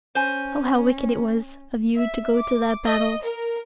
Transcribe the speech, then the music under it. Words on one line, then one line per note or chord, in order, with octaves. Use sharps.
Oh! how wicked it was of you to go to that battle!
C#4 C5 G#5
E5
D6
D#5
A#4